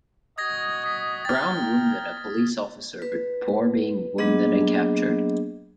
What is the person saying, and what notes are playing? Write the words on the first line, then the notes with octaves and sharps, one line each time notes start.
Brown wounded a police officer before being wounded and captured.
F#4 D#5 D#6 G#6 A#6
D#6 B6
D#4 G5 F6 A6
B4
F#3 A#3 B3 D4 G#4 D#5